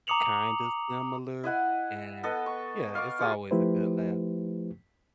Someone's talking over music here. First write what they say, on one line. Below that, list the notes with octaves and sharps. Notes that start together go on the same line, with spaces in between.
kind of similar, and, yeah, it's always a good laugh,
A#5 D6 D#6 C#7 F7 F#7
E4 D#5 F#5 G#5
B3 A4 B4 D#5
C#6
D#5 F5 C#6 D6
F4 G4 G#4 G#5
F3 A3 E4 G4 B4 C5